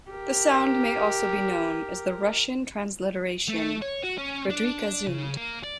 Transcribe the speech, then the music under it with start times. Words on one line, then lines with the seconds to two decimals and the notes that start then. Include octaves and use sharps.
The sound may also be known as the Russian transliteration Fridrikhe Zund.
0.12 G4 A#4
3.49 A3
3.82 C#5
4.04 F#4
4.18 C#4
4.50 D4
5.07 C#3
5.37 A#3
5.63 D5